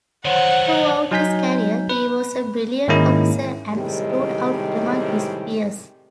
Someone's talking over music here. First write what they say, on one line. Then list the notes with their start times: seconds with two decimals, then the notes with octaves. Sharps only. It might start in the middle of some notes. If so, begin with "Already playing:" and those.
Throughout his career, he was a brilliant officer and stood out among his peers.
0.25 D#3 F#3 C5 C#5 F#5
1.11 F#3 D#4 G#5 G6 B6
1.89 B4
2.88 G#2 D#3 G#3 A#3 C#4 E4
3.73 A2 C3 D#3 G3 G#3 G4